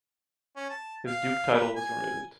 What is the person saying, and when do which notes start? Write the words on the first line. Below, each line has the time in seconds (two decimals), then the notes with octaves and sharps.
His duke title was removed.
0.56 C#4
0.70 A5
1.07 F5
1.54 B4
1.76 G#5